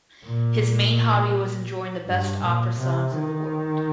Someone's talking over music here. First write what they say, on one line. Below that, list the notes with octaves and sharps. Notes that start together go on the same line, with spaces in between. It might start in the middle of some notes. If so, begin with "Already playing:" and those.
His main hobby was enjoying the best opera songs in the world.
A#2
G2
A#2
C3
D#3